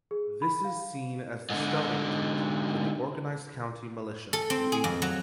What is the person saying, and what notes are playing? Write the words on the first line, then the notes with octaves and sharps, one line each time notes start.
This is seen as the starting date for the organised county militia in England.
G#4
B5
F5
G#2 D3
A4
C4
G#4
F2
F#3